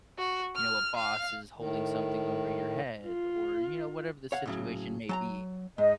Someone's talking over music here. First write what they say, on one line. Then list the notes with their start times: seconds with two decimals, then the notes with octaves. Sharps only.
you know, a boss is holding something over your head or, you know, whatever the situation may be.
0.17 F#4
0.55 F6
0.95 F5
1.58 A2 D#3
3.05 F4
4.32 C#5 F5 F#5
4.46 A2 C#3 F#3
5.09 F#3 A5 A#5
5.78 G#2 D#5